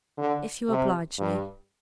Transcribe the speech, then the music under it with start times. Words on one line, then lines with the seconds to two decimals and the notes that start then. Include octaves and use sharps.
"If you oblige me."
0.18 D3
0.68 C3
1.19 G2